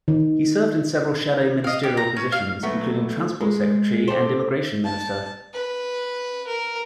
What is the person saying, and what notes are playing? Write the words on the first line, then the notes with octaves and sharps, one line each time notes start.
He served in several shadow ministerial positions, including Transport Secretary and Immigration Minister.
D#3
D#5 F5
G4
A#5
C#4
F5
F#3 A3 B3
G#3
G4 A4 C5
A5
B4
A#4